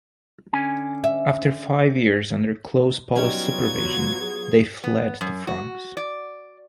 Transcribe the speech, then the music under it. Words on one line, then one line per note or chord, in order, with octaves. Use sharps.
After five years under close police supervision, they fled to France.
D3 C#4 G#5
E5
F#3 G3 B3 C#4 D#4 F4 G5 G#6
F#4
G#4
B3
F#2
F#4
D5